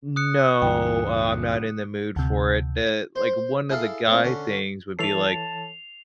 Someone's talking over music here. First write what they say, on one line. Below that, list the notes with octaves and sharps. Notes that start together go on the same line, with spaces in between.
"No, uh, I'm not in the mood for it." Eh, like, one of the guy things would be like
D#6 F#6 C#7
C#2 G2 E3 G5
D2 C3
C5
E4 G#4 A4 F5
A2 C4
D3 C#4
E3 A4 C#5 A5 C7 F7